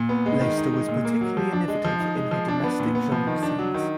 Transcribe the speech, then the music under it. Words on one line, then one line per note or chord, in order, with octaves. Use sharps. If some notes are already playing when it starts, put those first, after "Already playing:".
Leyster was particularly innovative in her domestic genre scenes.
Already playing: A#2
B3
G#3
D#3
D#4
G#3
A#2
A#3
F#3
F3
D4
G#3
F3
D#4
G#3
F3
D4
B3
A#2
B3
F3
D#3
D4
F#3
D#3